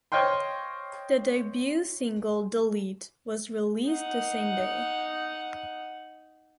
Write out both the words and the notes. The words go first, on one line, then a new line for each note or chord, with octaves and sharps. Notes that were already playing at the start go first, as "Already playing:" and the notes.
The debut single "Delete" was released the same day.
C5 C#5 D#5 F5 G5 C6
D#4 F#5